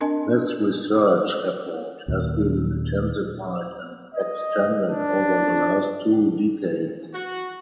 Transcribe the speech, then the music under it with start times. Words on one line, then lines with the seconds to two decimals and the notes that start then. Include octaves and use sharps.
This research effort has been intensified and extended over the last two decades.
0.01 C4 D4 A#4 D#5 G#5 A5
2.08 D#2 A#2
4.14 D#5
4.87 D4
7.14 F#4